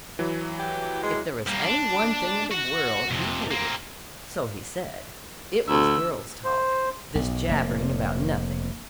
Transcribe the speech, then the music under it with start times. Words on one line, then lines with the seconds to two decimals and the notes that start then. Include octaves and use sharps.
If there was any one thing in the world he hated--so he said--it was girls' talk, this jabbering about nothing.
0.19 E3 F#3
0.59 G4
1.03 G#3
1.48 G3 A#3
1.65 D4
2.51 F#4
3.11 F2 C3
3.51 A#3 C4
5.67 D2 E6
6.44 C5
7.15 B1
7.49 F1 A#3